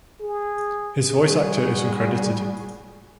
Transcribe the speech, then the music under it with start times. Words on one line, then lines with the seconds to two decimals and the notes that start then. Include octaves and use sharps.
His voice actor is uncredited.
0.20 G#4
1.26 G3 F#4 G#4